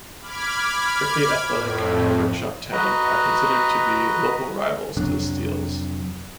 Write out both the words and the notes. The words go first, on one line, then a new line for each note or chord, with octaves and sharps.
Frickley Athletic and Worksop Town are considered to be local rivals to the Steels.
B5 D6 F6 G#6
F2 A2
F#4 B4 D#5 A#5
F2 C3 F#3 D4